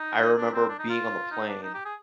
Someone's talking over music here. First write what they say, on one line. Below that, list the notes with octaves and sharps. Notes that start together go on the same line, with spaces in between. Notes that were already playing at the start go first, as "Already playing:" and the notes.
I remember being on the plane,
Already playing: D#4
D4
C4
D4
D#4
F4
D#4
D4
D#4
G4
G#4